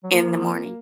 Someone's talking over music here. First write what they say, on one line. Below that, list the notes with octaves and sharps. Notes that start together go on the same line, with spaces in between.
in the morning
F#3
F3 A#3